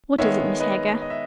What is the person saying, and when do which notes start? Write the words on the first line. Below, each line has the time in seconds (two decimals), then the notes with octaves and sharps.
What is it, Miss Heger?
0.18 D#3 G#3 B3 C#5 E5
0.60 B4 D#5
1.02 D#5
1.10 E5